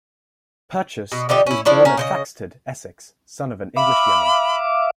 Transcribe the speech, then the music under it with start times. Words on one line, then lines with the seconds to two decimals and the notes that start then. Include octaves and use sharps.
Purchas was born at Thaxted, Essex, son of an English yeoman.
1.12 B2
1.29 D3 F3 D#4 G4
1.47 C#4 E4
1.65 F3 D4 E4 C#5
1.85 C#4 F#4 A#4
1.97 C#3 C5 D#5
3.76 E5 F5 B5 D6